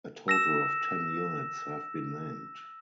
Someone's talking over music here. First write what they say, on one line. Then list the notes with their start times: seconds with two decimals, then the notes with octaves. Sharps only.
A total of ten units have been named.
0.28 E6 A#6 E7